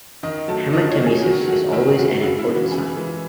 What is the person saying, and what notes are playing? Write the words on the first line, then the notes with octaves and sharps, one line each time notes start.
Hematemesis "is always an important sign".
D#3 D#5
F#3 A3 A5
D#3 D#5
C#5
F#3 A3
G#4
D#3 F#4
F#3 A3 F#4
D#3 E4
G#4
F#3 A3 F#4
C#3 F#4
E4
E3 G#3
F#4
C#3 G#4
E3 G#3